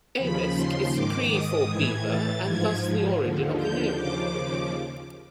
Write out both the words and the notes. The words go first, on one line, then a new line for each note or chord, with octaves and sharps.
Amisk is Cree for Beaver and thus the origin of the name.
D#2 C#3 F3 B5
C6
G#2 D#3 D6
D#6
A2 E3 G#6
A6
G#2 F3 G#6
D#2 D3 F3
G6
D#2 C#3 F3 D6